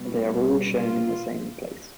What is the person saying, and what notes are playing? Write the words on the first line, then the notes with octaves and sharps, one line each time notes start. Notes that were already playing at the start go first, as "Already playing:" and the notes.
They are all shown in the same place.
Already playing: B2 G3 B3
F4